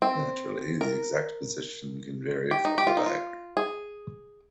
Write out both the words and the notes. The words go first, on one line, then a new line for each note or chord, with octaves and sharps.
Naturally, the exact position can vary from the diagram.
C4
A#4
G4
D#4
G4
F4
D#4
F4
G#4